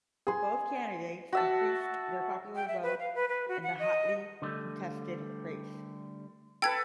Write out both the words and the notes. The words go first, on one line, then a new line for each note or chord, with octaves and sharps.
Both candidates increased their popular vote in the hotly contested race.
G#4 G#5 C6
F#4 E5 A5
G5
E5
B4
F5
B4
B4
F#4
F#5
D#5
D3 G3 A3
A4 B4 G5 G#6